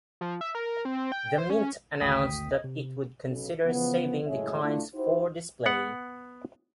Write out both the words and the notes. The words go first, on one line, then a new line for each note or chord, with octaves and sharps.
The Mint announced that it would consider saving the coins for display.
F3
E5
A#4
C4
G5
C5
C#4
G#1 D2 G5 D#6 B6
D#5
C3
B1 C#3
C#3 E3 F3 B3
F#1 A2 G#3 G#4 C#5 E5
A3 D4 E4 F4
D#4 E4 F#4 G4 C5
B3 F#5